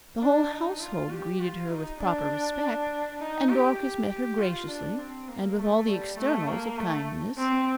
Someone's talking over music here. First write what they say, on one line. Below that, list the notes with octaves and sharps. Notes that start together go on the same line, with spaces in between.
The whole household greeted her with proper respect, and Dorcas met her graciously, and with all the externals of kindness.
D4
D#4
F4
G4
F4
D#4
D4
D#4
G4
G4
G4
F4
D4
C4
A#3
A3
G3
A3
A#3
A3
C4